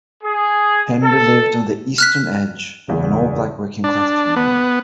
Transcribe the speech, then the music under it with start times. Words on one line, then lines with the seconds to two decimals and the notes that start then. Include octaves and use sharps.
Henry lived on the eastern edge of an all black working class community.
0.24 G#4
1.02 A4
1.98 F6 F#6 B6
2.88 F#1 E2
3.84 D4
4.36 B3